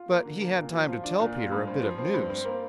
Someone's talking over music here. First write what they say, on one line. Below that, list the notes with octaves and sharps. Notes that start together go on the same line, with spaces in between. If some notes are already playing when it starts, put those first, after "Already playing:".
But he had time to tell Peter a bit of news.
Already playing: F4
A#3
D3
A#3
A#2
F3
F4
D4
A#2
F4
G2
C4
F3
C4
G2
C4
A#3